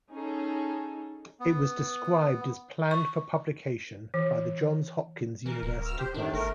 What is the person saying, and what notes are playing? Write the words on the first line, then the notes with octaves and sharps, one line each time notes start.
It was described as planned for publication by the Johns Hopkins University Press.
C#4 D#4 G#4 A4
B3
C#6
E3
E3 A#4
D1
D2 E6 F6
G4 C5
A2 C3 D#3 D4
G1 A3 A#4